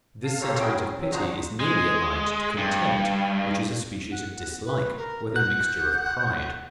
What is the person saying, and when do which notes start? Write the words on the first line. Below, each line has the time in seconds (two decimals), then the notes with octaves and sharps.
This sentiment of pity is nearly allied to contempt, which is a species of dislike, with a mixture of pride.
0.24 F5 A5
0.40 G4 A4 C5 C#5 F5 A#5
0.59 C#4 E4 F#4 G#4 A#4 G5
0.81 C#4
0.97 F#3 C4
1.11 F3 D4 F#4 G#4 C5 A#5
1.60 G#3
2.57 G2
4.11 F#5
4.65 B4
4.97 A#4
5.36 F#5 F#6 G6